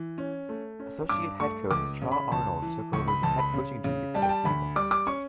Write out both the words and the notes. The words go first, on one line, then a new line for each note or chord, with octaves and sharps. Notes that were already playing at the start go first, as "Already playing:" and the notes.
Associate head coach Tra Arnold took over the head coaching duties for this season.
Already playing: E3
C#4
A3
C#4
G2 D6
A3 C#6
C#2 D6
C#3
B5
C#2 A5
E3
C#2 C#6
B5
C#2 A5
B5
C#3
C#3
G3 A5
G5
A5
D2 B5
G3 D6
D6
C#4 C#6